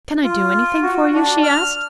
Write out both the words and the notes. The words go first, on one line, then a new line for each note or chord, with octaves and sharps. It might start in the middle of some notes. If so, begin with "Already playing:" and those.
"Can I do anything for you?" she asked.
F4
F#4
D4
F6